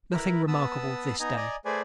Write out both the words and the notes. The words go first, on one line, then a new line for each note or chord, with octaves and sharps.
Nothing remarkable this day.
E4 A#4 B4
B3 B4 A5 D#6 E6
B3 D#4 D#5 G#5 A#5
D5 D#5 G#5 A#5
A3 G#4 B4 C5 D5 G#5